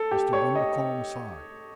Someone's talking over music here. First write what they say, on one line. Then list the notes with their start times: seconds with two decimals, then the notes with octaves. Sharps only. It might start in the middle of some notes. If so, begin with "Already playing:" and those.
Mr. Bundercombe sighed.
Already playing: A4
0.11 G4
0.33 C#5
0.55 D#5